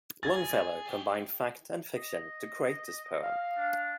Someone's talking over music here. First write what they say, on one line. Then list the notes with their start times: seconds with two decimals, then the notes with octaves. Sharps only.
Longfellow combined fact and fiction to create this poem.
0.23 G#4 G#6 A6
0.86 G#4 G5
1.97 D#5
3.23 F5
3.57 D4